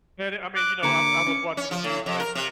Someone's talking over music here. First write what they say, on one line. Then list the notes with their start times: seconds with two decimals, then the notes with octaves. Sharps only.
And it I mean, you know, I I was watching the news, and they s
0.56 D6 F#6
0.83 D3 A#3 G4 D6 C#7
1.26 C#4
1.57 C#4
1.71 F3
1.84 A2
2.06 F2
2.20 A#4
2.35 C3